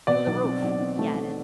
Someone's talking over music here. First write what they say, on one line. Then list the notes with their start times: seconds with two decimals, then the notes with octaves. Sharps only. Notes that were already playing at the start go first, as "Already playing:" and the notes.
"Through the roof," he added.
0.07 B2 D5
0.26 B1
0.44 C4
0.62 B1
0.80 C4
0.99 A3
1.16 A3